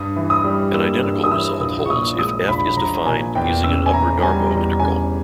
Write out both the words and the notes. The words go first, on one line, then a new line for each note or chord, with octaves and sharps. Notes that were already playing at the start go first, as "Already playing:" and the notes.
An identical result holds if "F" is defined using an upper Darboux integral.
Already playing: G2 D#6
E3
D#6
G3
A#3 E6
G2 E6
D#6
E3 E6
A#1 D#6
C#6
A#2 D#6
G#3 D#6
A#1 B5
A#1 A#5
A#2 G#5
E2 G5
C#3 E6
G#5
E3 A#5
A#5
G3 G#5
E2 A#5
C#3 G#5